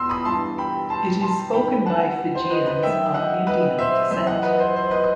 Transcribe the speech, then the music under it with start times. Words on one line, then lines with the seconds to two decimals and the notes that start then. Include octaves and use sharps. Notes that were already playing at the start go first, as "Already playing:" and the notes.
It is spoken by Fijians of Indian descent.
Already playing: E2 B2 C6 E6
0.09 B5 D#6
0.25 G2 E3 A5 C6
0.58 G5 B5
0.90 A5 C6
1.21 A5 C6
1.54 G2 D#3 G5 B5
1.86 F#5 A5
2.35 C5
2.50 B4 D#5
2.66 B4 D#5
2.83 F#2 D#3 E5 G5
3.14 D#5 F#5
3.47 B4 D#5
3.79 C5 E5
4.11 F#2 C5 E5
4.15 E3
4.27 D#5 F#5
4.43 B4 D#5
4.59 C5
4.76 C5
4.91 B4 D#5